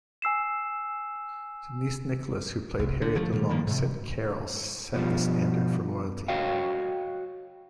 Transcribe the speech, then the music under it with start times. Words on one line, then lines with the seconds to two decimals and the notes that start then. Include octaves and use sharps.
Denise Nicholas who played Harriet Delong said Carroll set the standard for loyalty.
0.22 G#5 E6 C7 E7
2.80 C2
3.02 D3
3.15 D3 F3 A3
3.32 A#2 D#3 G3
3.49 D#3 F3 A#3
3.67 G#2 C3
4.94 B2 F3 G3
6.28 F#4 C#5 D#5 F5 G5